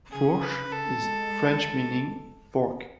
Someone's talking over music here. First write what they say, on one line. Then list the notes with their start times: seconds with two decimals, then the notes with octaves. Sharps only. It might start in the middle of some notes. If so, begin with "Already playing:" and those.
"Fourche" is French meaning "fork".
0.12 C#3 G#4
0.41 B4
0.71 C#3 A4
1.01 G#3